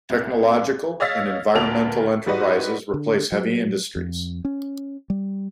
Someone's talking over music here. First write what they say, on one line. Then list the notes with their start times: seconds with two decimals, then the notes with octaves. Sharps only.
Technological and environmental enterprises replace heavy industries.
0.10 C2
1.00 C#5 D#5 F5 E6 A6 B6
1.55 D2 B3 A#4 A5 F7
2.26 G#2 G3 F#4 B4 D#5
2.94 D3
3.32 F#3
3.96 F2
4.45 C#4
5.10 G3